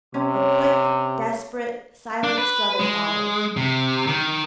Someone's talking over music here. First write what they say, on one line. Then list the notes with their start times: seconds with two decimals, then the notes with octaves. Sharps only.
A quick, desperate, silent struggle followed.
0.14 C3 C#4
2.24 D4
2.38 B4
2.79 G#3
3.57 C3
4.07 D#3